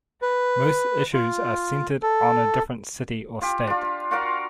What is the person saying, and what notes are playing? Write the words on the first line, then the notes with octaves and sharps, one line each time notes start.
Most issues are centered on a different city or state.
B4
F4
A4
F4 G4
D4 F4
F4 F#4 A#4 F5